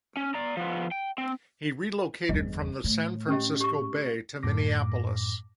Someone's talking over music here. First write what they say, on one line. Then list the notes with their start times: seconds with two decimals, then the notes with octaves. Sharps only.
He relocated from the San Francisco Bay to Minneapolis.
0.17 C#4
0.34 D5 A#5
0.57 F3 B3
0.91 G5
1.18 C4
2.29 G1 E2 D#5
2.84 A2
3.28 C#4 G4 D#5
3.61 G4 C#6
4.43 F#2 A2 D6 A#6